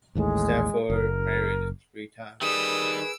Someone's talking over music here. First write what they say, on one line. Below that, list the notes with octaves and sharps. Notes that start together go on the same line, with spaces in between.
Stafford married three times.
A1 D#2 A2 G#3
F#1 A#4
D#3 G3 G#4 B4 D#6 E6 D7